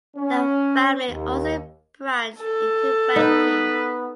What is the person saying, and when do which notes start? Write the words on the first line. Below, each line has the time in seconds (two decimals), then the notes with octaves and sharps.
The family also branched into banking.
0.16 C#4
1.09 D#2
2.41 A4
3.16 B3 D#4 B4